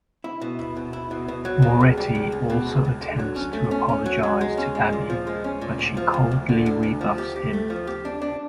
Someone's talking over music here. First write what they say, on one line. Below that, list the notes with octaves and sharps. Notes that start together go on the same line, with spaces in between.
Moretti also attempts to apologize to Abby, but she coldly rebuffs him.
E4
B2
E4
B2
E4
B2
B2
F#3
B2
C#2
G3
C#2
C#2
B2
C#2
C#2
D3
F#3
C#4
A3
C#4
C#4
F#3
F#3
G#3
C#4
G#3
A#2
F3
G#3
C#4
A#2
D2
F3
D2
D2
D3
D2
D2
F3
G4
G4
A3
F3
G4
D4
D4